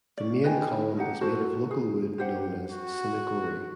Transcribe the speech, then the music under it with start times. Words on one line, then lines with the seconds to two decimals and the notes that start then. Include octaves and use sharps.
The main column is made of local wood known as "cinna gori".
0.17 C#4 D5
0.44 B4 D#5 G5 G#5
0.97 D#4 G4 F#5 A5
1.21 F#4 A4 C5 A5
1.71 G#4
2.18 G4 C5 F#5
2.71 F#4